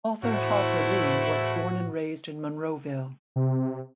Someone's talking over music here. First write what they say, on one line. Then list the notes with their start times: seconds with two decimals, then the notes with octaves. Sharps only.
Author Harper Lee was born and raised in Monroeville.
0.23 E2 A2 A3 E4 F#4 C5
3.36 C3